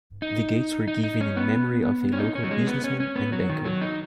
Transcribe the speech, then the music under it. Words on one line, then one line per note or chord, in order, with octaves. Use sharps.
The gates were given in memory of a local businessman and banker.
D#4
D#4
D#4
C#4
B3
C#4
D#4
C#4
F#3
G#3
B3
C#4
C#4
B3
F#3
D#3
F#3
D#4